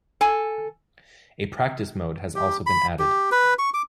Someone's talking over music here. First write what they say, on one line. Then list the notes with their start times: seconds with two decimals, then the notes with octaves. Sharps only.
A practice mode has also been added.
0.21 A4 G#5
2.35 G4
2.66 B5
2.99 G4
3.32 B4
3.59 C#6
3.74 D6